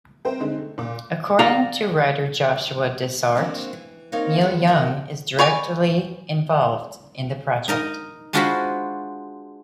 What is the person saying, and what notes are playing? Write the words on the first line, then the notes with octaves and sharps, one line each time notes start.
According to writer Joshua Dysart, Neil Young is directly involved in the project.
C4 A#4 C5 G5
D3 G#3 C4 D#4
A3
A#2 D6
D5 F5 A#5
D3 A#3 C4 F#4
E3
A#3 C4 D#4 A#4 C#5 F5
B3 F4 G#4 A4 B4 C5
G#2 A#4 C#5 D#5
B4 C#5 D5 G#5
D#4 A#4 D#5
G#3 D4 F4 F#4 C5 B5